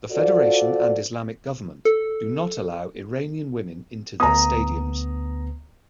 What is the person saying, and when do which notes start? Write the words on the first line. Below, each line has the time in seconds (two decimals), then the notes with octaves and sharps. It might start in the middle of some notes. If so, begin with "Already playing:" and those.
The federation and Islamic government do not allow Iranian women into their stadiums.
0.11 F4 F#4 A4 C5 D5
1.85 A4
4.20 D2 B3 A#5 D#6